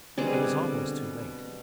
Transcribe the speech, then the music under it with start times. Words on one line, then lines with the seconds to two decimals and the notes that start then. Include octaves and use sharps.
It was almost too late.
0.18 B2 D3 G3 C4 G#4